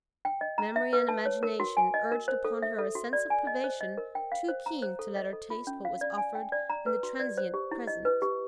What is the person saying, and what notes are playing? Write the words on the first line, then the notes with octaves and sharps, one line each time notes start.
Memory and imagination urged upon her a sense of privation too keen to let her taste what was offered in the transient present.
G5
D#5
A#5
E5
B4
A5
C#5
A#4
F#4
G#5
D#5
A#4
C5
A4
E5
A4
F#4
D5
G#5
D#5
C5
D#5
A#4
G5
F5
C5
A#5
C5
A4
D#5
A4
F4
C#4
F5
D5
G#5
G5
D5
A#5
B4
F#4
D5
C5
G4
E4
D#5
B4
G4